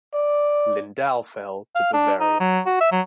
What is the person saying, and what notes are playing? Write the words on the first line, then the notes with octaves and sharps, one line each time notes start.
Lindau fell to Bavaria.
D5
F5
D4
D#4
F#3
F#4
E5
F#3